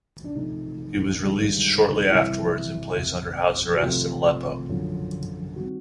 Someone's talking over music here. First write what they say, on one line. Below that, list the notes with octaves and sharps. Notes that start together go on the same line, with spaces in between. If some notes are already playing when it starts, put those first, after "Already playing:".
He was released shortly afterwards and placed under house arrest in Aleppo.
D4
C3 F3 A3 D#4
G2 D#3 G#3
C3 E3 G3 E4
F2 C3 E3
F#4
C3 F3 A3 C4 F4
F#2 D3 F3
D#3 G3 C4 F#4